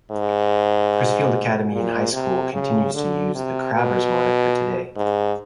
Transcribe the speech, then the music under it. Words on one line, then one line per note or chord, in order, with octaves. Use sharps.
Crisfield Academy and High School continues to use the "Crabbers" moniker today.
G#2
A#2
C3
C#3
D3
C3
B2
G#2